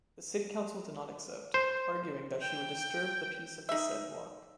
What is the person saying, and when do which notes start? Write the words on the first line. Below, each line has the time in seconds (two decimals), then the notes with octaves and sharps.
The city council did not accept, arguing that she would disturb the peace of the said walk.
1.54 C5
2.42 G5
3.69 D#4 E5